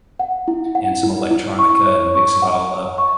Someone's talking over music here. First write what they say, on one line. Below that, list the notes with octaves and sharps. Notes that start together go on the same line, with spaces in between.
and some electronica and mix it all up.
F#5
E4
F#5
E4
E4
C#6
C#5
C#6
F#5
C#5
C#6